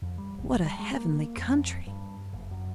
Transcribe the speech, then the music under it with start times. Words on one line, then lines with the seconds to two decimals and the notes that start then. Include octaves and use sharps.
What a heavenly country!
0.02 F2
0.18 G3
0.38 A#1
0.64 G3
0.79 G#3
0.95 A#3
1.37 F2
1.87 G2
2.33 F#1
2.51 F#2